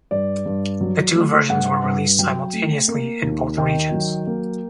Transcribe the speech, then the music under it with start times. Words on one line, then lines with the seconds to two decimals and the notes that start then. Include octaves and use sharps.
The two versions were released simultaneously in both regions.
0.11 G2 D5
0.46 G2
0.81 F#3
1.15 A3
1.49 G2 F#5
1.84 G2
2.19 F#3 G5
2.53 A3
2.88 A#3
3.23 D#2
3.57 D#3 G5
3.92 F#3
4.27 A#3